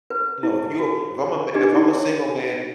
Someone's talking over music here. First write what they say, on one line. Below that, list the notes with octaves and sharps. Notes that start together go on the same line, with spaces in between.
You know, if you if I'm a m if I'm a single man,
B4
E4
F#4
D4 G4 G#4 D#5
D#4 E4
C#5